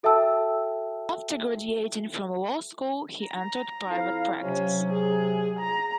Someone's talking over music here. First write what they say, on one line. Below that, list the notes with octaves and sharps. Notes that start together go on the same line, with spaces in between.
After graduating from law school, he entered private practice.
F#4 A4 E5 G5 A5 E6
A#5
F2 E4 F5
C3 F#3 C#4
G#4
A#5